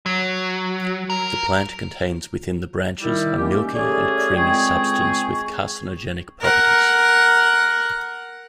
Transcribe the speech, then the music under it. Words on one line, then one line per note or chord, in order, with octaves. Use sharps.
The plant contains within the branches a milky and creamy substance with carcinogenic properties.
F#3
A#4
D#3 G3 E4
D#3 A#3 C#4 G4
A3 C#4 G4 G#4 C#5 D5
C#2 G#3 C4 G#4 G5 C#6
A#4 F#5